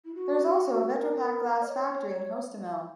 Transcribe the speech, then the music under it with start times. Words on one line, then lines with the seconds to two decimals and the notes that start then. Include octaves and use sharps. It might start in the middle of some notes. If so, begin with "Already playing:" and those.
There is also a Vetropack glass factory in Hostomel.
0.05 E4
0.15 F#4
0.91 A#4
1.62 D#5
1.67 C#5